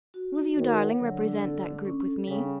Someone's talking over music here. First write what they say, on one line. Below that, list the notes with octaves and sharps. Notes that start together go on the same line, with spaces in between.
"Will you, darling, represent that group with me?"
F#4
F#4
D#3 C#5
F#5
D3 F#3
D4
A4
D4
C#4
A4
C#3 G3